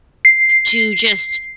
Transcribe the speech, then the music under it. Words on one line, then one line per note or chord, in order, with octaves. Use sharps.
to, just,
C7